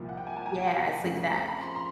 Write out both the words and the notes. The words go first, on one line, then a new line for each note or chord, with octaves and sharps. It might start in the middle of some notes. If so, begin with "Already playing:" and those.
Yeah, it's like that
Already playing: C2 A#2 F3
F#5
G5
G#5
A5
G#5 A#5
F2 C#3 F3 A3
A#5
B5
A#5 C6
A#5 C6